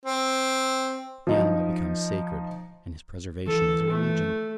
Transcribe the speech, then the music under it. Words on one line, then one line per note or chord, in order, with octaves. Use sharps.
The animal becomes sacred, and his preservation is a religion.
C4
F3 D#4
E3 A4
A3